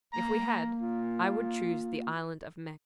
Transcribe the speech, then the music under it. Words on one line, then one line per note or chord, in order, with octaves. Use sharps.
'If we had I would choose the Island of Man.'
A#3 A#5
F4